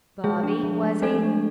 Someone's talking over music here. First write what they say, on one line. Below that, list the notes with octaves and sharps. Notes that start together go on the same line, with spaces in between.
"Bobby, was he?"
F3 G#3 G#4
D4
F3
A3
F3 A3 A4
D4